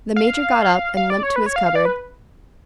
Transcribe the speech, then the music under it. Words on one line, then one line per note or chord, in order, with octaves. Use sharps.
The Major got up and limped to his cupboard.
F5
F5
D5
C#5
B4
C#5
F5
F5
D5
B4